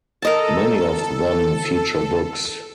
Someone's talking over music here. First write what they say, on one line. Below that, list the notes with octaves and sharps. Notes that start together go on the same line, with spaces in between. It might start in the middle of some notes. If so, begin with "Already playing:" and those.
Many of them feature books.
A4 A#4 D#5 A5